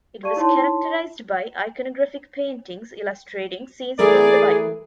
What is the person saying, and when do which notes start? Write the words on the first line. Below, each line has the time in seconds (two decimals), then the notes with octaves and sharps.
It was characterised by iconographic paintings illustrating scenes from the bible.
0.23 G4 D5 F5 A5 C#6 D#7
0.36 D#4 E4 C#5 A5 C6
3.99 E3 A3 G#4 A#4 D5